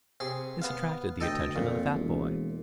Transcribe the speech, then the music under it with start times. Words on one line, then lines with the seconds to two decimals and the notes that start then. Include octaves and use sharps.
This attracted the attention of the fat boy.
0.20 C3 G#4
0.62 B3 F5
1.20 D2 A4 D#5 G5
1.56 F2 A#2
1.94 E1